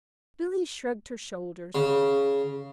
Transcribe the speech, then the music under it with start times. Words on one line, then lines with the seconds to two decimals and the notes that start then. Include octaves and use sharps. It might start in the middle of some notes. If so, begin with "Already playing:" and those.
Billy shrugged her shoulders.
1.75 C#3